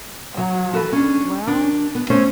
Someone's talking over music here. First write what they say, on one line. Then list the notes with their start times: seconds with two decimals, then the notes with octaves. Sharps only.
Uh, well,
0.38 F#3
0.73 F#4 A4 B4
0.92 C#4 D4
1.47 D#2 D4
1.95 B3
2.10 A3 C#4 C5 C#5